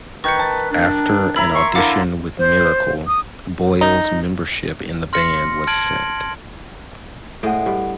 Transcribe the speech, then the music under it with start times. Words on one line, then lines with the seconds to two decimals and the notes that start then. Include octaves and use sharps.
After an audition with "Miracle", Boyle's membership in the band was set.
0.24 D#3 B4 C#6 G6 C#7
0.39 A5
0.71 D4
1.36 E4 E5 A#5 B5
1.55 C6 C#6
1.75 D3 E4 A#4 F5 D6 C#7
2.38 C5
3.07 D#6
3.81 D#4
5.13 C6 F6 A#6 C#7
5.67 A5 F6 G#6 D7 F#7
7.43 A2 G#3 D#5 F#5 D7
7.66 G2